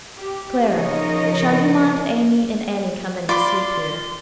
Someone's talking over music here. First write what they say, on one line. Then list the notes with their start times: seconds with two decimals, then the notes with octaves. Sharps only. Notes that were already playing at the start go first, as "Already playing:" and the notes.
'Clara--shall you mind Amy and Annie comin' to sleep here?
0.18 G4
0.67 C#3 F3 D#4 A#4 C#5 D#5
3.29 F4 D5 B5 C6 D6